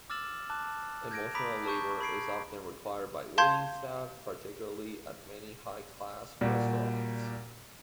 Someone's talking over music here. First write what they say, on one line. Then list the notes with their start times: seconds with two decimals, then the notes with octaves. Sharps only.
Emotional labour is often required by waiting staff, particularly at many high-class restaurants.
0.10 D6 E6 F6 A6 E7 F#7
0.50 A5 D6 F#6
1.11 G6 G#6 A#6 D7
1.35 A#5 B5 D6 D#6 B6 D7
1.66 A5 C#6 G6
2.01 B5 G#6 C7 D7
3.38 F5 A5 C6 G6 G#6
6.41 A#2 G3 F#4